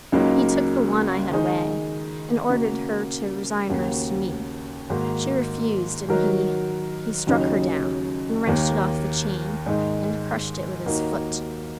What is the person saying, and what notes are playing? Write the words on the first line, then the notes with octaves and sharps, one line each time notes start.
He took the one I had away, and ordered her to resign hers to me; she refused, and he--he struck her down, and wrenched it off the chain, and crushed it with his foot.'
C#2 C#3 F#3 A#3 D#4
D#3 G#3 D#4 G#4
C#3 A#3 F#4
D#2 C#3 A#3 F#4
G#2 D#3 A#3 F#4
D#3 F#3 D#4 F#4 A#4
D#2 C#3 F#3 D#4
D#2 D#3 A#3
G#2 D#3 G#3 D#4
D#2 D#3 A#3 D#4 F#4